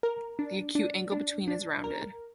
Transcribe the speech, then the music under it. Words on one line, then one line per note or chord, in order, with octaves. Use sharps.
The acute angle between is rounded.
A#4
D4
D4
D4
D4
A#4